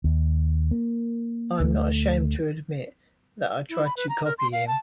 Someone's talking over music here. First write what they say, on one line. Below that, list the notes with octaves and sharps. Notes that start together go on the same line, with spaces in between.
I'm not ashamed to admit, that I tried to copy him.
D#2
A#3
D2 A3
E4
B5
B4
A#5
A#4
C6
F5
A5